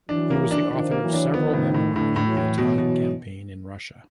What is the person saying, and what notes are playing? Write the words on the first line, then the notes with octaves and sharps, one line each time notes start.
He was the author of several memoirs on the Italian campaign in Russia.
E3 F#3 D4
A#3
D4
D#3 F3 D4
A#3
E3 F#3
D4
D#3 F3 B3
A2
A2
A2 D3 E3
A2
E3 F#3
A2
B2 E3 F#3
B2